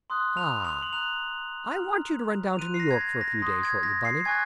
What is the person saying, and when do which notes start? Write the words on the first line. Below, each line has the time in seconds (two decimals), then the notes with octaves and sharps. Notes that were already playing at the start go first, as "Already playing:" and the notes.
Ah-- I want you to run down to New York for a few days shortly, Bunny.
0.10 C6 D#6 F#6
0.37 F7
0.65 F7
0.82 F#7
0.92 A#5 D#6 F#6 F7
1.76 A#5 F6
2.53 F7
2.59 C6 F#6 D#7
2.74 C7
2.80 A#6
2.91 G#6
3.01 A#6
3.16 G#6
3.21 A#6
3.42 C6 D#6 F#6 A#6
3.63 G#6
3.83 A#6
4.05 C7
4.25 G#5 C#6 F#6 G#6